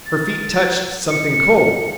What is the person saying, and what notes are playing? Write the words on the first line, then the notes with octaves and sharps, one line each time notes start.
Her feet touched something cold!
A6
C#7